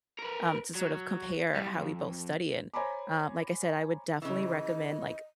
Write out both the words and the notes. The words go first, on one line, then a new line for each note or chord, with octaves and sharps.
um, to sort of compare how we both study, and, um, like I said, I would definitely recommend, like
A#4 B4
F#3
C2 G3
F2
C5 C#5 G#5 A#5 B5 D6
C#3 E3 D#5